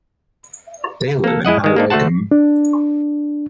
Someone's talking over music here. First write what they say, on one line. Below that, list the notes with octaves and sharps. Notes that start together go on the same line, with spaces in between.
They live in High Wycombe.
A#3 A4
G#3 E4 D#5 F#5
D#3 G#3
A#3 D4 D#4
D2 A3 F#4 C5 F#5 A5
D4